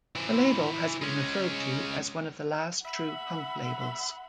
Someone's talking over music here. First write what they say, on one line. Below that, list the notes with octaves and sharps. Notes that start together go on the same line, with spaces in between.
The label has been referred to as one of the last true punk labels.
E3 C5
G#3 C#4
E5 F#5 B5